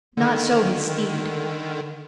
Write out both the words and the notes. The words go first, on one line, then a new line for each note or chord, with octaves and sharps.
Not so his steed.
D3 D#3